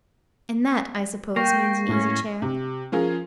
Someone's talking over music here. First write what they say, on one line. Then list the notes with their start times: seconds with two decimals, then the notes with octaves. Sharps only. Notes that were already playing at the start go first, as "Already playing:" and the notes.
"And that, I suppose, means an easy-chair?"
1.36 A#3 G5 C#6 A#6 C7
1.89 A2 C#4
2.42 C3
2.92 F3 C#4 F4 G#4 A#4